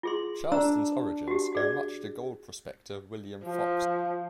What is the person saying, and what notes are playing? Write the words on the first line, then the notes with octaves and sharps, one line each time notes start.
Charleston's origins owe much to gold prospector William Fox.
F4 G#4 C6
D4 A#5 E6
F#4 G4
F#4 G#4 D5
F3